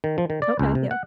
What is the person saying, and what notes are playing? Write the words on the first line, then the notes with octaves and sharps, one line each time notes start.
Okay, yeah.
D#3
F3
D#3
D5
C#2
C3
F#5